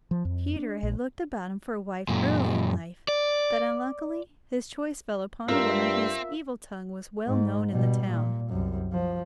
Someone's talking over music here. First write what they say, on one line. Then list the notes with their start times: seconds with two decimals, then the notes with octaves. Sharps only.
Peter had looked about him for a wife early in life, but unluckily his choice fell upon a woman whose evil tongue was well known in the town.
0.11 F3
0.25 F2
0.56 D4
0.83 A#1
2.09 F#2 A#2
3.08 D5
5.48 G2 C4 F4 A#4 E5
7.27 G#2
7.72 B2 G3
8.07 A#2
8.49 C2 F#2
8.93 F3